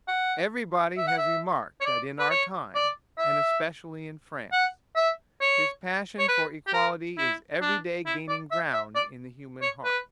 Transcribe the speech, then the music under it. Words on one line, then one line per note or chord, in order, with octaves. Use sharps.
Everybody has remarked that in our time, and especially in France, this passion for equality is every day gaining ground in the human heart.
F#5
E5
F#5
E5
C#5
D5
B4
C#5
D5
E5
F#5
E5
C#5
C#5
B4
G4
A#4
E4
D4
E4
D5
E5
E5
D5
C#5
B4